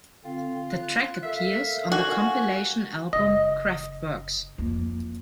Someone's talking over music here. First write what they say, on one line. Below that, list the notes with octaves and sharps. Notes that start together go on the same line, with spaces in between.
The track appears on the compilation album "Kraftworks".
D3 C4 F4
F#6
A4 A#4 E5 F5
F#4 G#5
F#1 D#5
F2 A#3